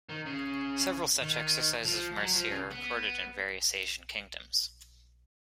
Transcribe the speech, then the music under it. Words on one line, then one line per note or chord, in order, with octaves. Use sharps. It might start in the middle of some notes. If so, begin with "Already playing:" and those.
Several such exercises of mercy are recorded in various Asian kingdoms.
D#3
C#3
D#3
F3
F#3
F3
C#3
B3